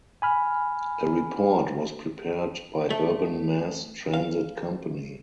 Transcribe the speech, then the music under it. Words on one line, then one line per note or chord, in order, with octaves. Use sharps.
A report was prepared by Urban Mass Transit Company.
G#5 B5 F6
A3
F5